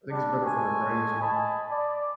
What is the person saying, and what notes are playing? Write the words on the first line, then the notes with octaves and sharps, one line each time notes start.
I think it's better for their brains, you know?
G3 D4
G#3 A4 G#5 C#6
D#5 G#5 A5 B5
D5